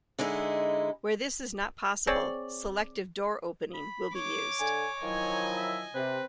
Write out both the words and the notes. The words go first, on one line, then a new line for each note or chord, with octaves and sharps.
Where this is not possible, selective door opening will be used.
D3 G#3 D#4 E4
C4 G#4 C#5 D5
B5
C#5 D6
D3 G#5
D#3 F3 F#3 E4 D#5 G#5
E5
C3 C4 B4